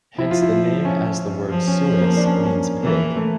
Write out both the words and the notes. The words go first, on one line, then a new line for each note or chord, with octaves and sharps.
Hence the name as the word "suis" means pig.
F3 E4
F4
E4
C#4
F3
C#4
C#4
A#3
D4
C#4
A#3
C#4
E3 A#3
A3